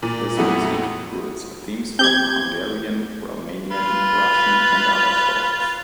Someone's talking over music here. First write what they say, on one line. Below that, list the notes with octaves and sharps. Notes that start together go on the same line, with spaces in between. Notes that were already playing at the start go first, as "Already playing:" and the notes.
This music drew its themes from Hungarian, Romanian, Russian and other sources.
A#2
F2 F#3 A3 B3 E4
C4 G4 G6 G#6
F4 B4